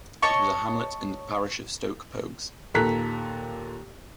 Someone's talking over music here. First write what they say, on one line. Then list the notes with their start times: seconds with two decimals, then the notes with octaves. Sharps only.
It was a hamlet in the parish of Stoke Poges.
0.22 C#5 D#5 A5 C#6
2.74 D#2 A#2 A4 A#5 F#6 B6